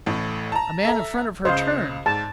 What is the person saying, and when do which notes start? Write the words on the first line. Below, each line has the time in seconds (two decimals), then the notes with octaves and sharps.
A man in front of her turned.
0.06 A1 A2
0.52 A5 A#5
0.85 A4 E5 A#5
1.45 C#2 C#3 C5 D#5 F5
2.06 G#2 A5